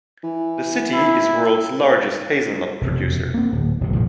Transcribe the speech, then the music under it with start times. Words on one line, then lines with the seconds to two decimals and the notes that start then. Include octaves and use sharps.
The city is world's largest hazelnut producer.
0.24 E3
0.94 E4
2.81 E1 F2 C3
3.34 A#3 C4
3.52 D1
3.81 E1 C3
3.93 A#1 E2 A2 F3